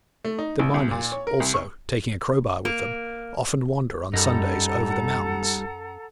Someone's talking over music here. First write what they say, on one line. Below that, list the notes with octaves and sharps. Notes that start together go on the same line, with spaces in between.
The miners, also, taking a crowbar with them, often wander on Sundays over the mountains.
A3
D#4
A1
C2
A#2
C#5
A#4
C2
C#6
A#3
F#2 G3 D#4 A4 F#5 A#5